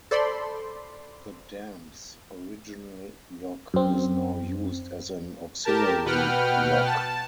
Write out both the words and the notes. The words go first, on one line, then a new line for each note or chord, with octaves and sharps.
The dam's original lock is now used as an auxiliary lock.
A4 C5 D5 B5 C6
F#2 C4
G4 A#4 A5
B2 B4 F#5 G5 F6
A5